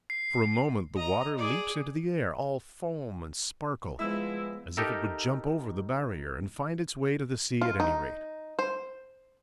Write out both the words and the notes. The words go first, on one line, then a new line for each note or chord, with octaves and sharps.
For a moment the water leaps into the air, all foam and sparkle, as if it would jump over the barrier, and find its way to the sea at any rate.
C7
D#5 A#5
G#4 D5
F3 G#3 B3 E4 E5 E6
D#4 G4 A4 A#4 E5
F4
D#4
C5